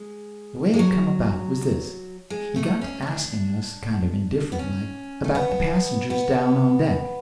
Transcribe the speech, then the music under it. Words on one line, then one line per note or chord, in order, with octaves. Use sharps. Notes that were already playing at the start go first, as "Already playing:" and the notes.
The way it come about was this: He got to asking us, kind of indifferent like, about the passengers down on deck.
Already playing: G#3
G#3
F#3
G#3
A3
C#4
C#4
D4
B3
C#4
A3
B3
B3